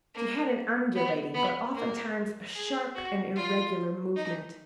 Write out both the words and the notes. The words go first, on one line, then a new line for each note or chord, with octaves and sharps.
She had an undulating, but oftentimes a sharp and irregular movement.
A#3
B3
B3
A#3
G#4
F#4
F4
D#4